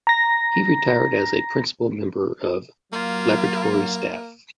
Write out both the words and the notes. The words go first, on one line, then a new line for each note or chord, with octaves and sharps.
He retired as a Principal Member of Laboratory Staff.
A#5 A#6
F#3 A#3 F4